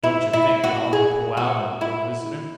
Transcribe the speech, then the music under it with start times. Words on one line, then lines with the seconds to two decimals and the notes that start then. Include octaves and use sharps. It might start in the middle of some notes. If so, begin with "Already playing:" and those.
"Don't yuh think yuh ought to pull out and go visiting?"
0.04 E4
0.33 E4
0.64 F#4
0.93 G#4
1.37 F#4
1.81 E4